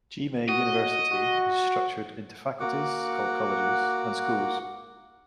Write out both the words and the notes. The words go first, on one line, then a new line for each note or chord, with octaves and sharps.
Jimei University is structured into faculties called colleges and schools.
F#4 D#5
F#4
A#3 F#4 F#5 D6